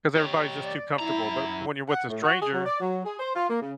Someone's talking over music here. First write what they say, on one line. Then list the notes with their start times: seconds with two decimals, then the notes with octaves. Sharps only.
'Cause everybody's just too comfortable, but when you're with a stranger
0.16 G4 C#5
0.63 D5
0.99 F#2 E4 A#5
1.89 F#5
2.09 A2
2.22 F#4
2.41 G#4
2.53 F#3
2.66 D5
2.80 F#3
3.04 G#4
3.19 C5
3.35 F4
3.49 A#3
3.61 C#3